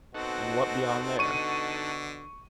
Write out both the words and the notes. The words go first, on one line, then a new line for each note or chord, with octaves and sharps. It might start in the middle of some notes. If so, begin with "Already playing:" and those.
"And what beyond there?"
B2 C4 D#4 F#4 A4 F#5
D3 C#6 D#7